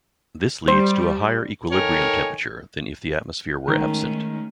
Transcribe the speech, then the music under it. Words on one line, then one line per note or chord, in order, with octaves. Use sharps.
This leads to a higher equilibrium temperature than if the atmosphere were absent.
G3 C5
D#3 A4 A#4 C#5 G#5
D#3 G#3 A3 C#4